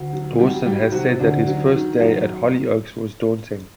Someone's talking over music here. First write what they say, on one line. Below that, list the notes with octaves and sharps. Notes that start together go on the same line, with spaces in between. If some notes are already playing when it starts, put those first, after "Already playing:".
Dawson has said that his first day at "Hollyoaks" was "daunting".
Already playing: D2
F#3
F#3 G3 G4
D#3 G3 G4
C3 F#3 F#4
D2 D4
F#3
D#3
F#2